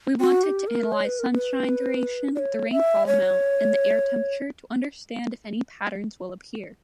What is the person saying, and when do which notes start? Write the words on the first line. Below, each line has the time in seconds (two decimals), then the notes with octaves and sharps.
We wanted to analyze sunshine duration, the rainfall amount and the air temperature to understand if any patterns will appear.
0.21 F#4
0.44 G4
0.67 A#4
0.92 C#5
1.05 B4
1.19 A#4
1.33 B4
2.36 D5
2.39 C#5
2.71 E5
3.07 C#5